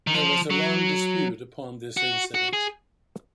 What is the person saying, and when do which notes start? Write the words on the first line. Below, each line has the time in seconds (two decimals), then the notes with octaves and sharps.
There was a long dispute upon this incident.
0.07 D#3
0.14 F3
0.50 F#3
1.97 F#4
2.34 F#4
2.53 G#4